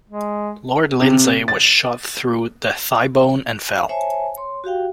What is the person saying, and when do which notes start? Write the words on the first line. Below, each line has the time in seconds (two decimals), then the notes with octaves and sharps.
Lord Lindsey was shot through the thigh bone, and fell.
0.09 G#3
1.02 C3
1.48 A6
3.89 C5 C#5 E5 G#5 A5
4.37 C#5 C6
4.64 F#4 G4 F5 G5